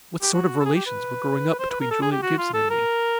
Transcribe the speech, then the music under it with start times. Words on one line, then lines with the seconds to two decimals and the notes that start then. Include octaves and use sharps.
What sort of relations were growing up between Juliet Gibson and me?
0.22 G4
0.34 F#4
0.60 A4
0.65 G#4
0.75 G4
0.86 B4
1.59 C5
1.70 B4
1.80 A#4
1.91 A4
2.02 G#4
2.12 G4
2.22 F#4
2.38 F4
2.54 A4
2.70 A#4